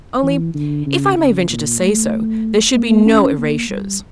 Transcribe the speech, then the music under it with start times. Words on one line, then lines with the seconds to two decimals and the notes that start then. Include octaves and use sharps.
Only, if I may venture to say so, there should be no erasures.'
0.23 E3
0.54 D3
0.86 C#3
1.17 C#3
1.49 A#2
1.80 A3
2.75 A#3
3.05 C#4
3.37 A#3
3.69 G3